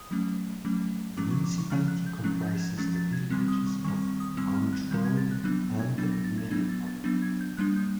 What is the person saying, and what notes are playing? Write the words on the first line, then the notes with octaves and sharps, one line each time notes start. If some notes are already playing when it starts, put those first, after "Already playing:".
The municipality comprises the villages of Gontrode and Melle proper.
Already playing: D#6
F#3 A3 C#4
F#3 A3 C#4
F3 G#3 C#4 D6
C#6
D6
C#6
F3 G#3 C#4 F6
F#6
G6
F3 G#3 C#4 F#6
G6
G#6
F3 G#3 C#4 A6
A6
G#6
D#3 G3 C4 F#6
D#6
C#6
D#3 G3 C4 C#6
C#6
D#6
D#3 G3 C4 E6
F6
F#6
D#3 G3 C4 G6
G#6
A6
F#6
F#3 B3 D4 F#6
G#6
F#3 B3 D4 A6
A#6
A6
G#6
F#3 B3 D4 G#6
A6
A6
F#3 B3 D4 A6
G#6
G6
G3 A#3 D4 F#6
G6